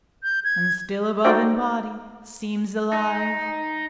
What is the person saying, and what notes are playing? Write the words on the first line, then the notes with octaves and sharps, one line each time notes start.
And still above in body seems alive!
G6
G#6
D#4 F#4 A4 C5 D5 G5
D#4